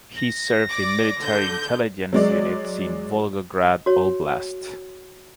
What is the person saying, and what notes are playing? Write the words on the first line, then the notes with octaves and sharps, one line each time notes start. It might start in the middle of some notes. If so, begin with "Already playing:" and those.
He served in military intelligence units in Volgograd Oblast.
A#6
D5 D6
D3 G6
F#3 G#3 D5
F#4 C#5